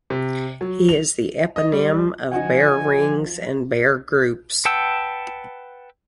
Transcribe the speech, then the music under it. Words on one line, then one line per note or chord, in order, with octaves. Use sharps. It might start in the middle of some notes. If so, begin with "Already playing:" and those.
He is the eponym of Baer rings and Baer groups.
C3
F#3
F7
D#5
G3
F3 D#4 F#4 F#5 G#5
B4 F#5 G5 A5 E6